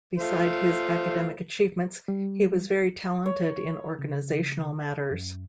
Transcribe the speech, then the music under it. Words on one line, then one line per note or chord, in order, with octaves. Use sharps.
Besides his academic achievements, he was very talented in organisational matters.
A3 F4 C5
G3
C#5
C#3
F#2